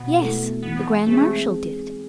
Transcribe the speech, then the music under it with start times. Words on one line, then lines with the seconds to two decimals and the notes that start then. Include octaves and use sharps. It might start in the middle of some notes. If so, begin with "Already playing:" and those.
"Yes; the grand marshal did."
Already playing: B2 B3
0.20 A3 E4 A4
0.63 E3 B3
1.06 G#3 A3 C4 G#4